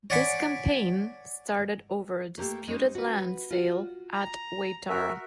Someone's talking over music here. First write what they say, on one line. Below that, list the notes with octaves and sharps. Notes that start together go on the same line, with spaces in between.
This campaign started over a disputed land sale at Waitara.
C#5 D5 F#5 G#5 B5 D6
A3 A#3 G4 A4
G#3 B3 C#4 D#4
F#4 B4
F4 F#4
A#5
F#4 A#4 E5